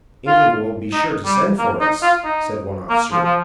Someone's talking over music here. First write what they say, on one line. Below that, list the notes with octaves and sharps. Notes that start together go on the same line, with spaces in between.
"England will be sure to send for us," said one officer.
F4
D#4
G3
A#3
D#4
F4
D#4
A#3
F3
F3